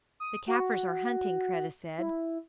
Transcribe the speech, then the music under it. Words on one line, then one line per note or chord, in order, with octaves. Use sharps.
"The Kaffirs are hunting," Kreta said.
D#6
F#4
E4